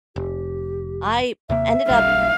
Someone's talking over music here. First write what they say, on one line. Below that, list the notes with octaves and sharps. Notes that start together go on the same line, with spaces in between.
I ended up
F1 G4
D#2 C3 A#3 E5
B1 F#3 G3 F5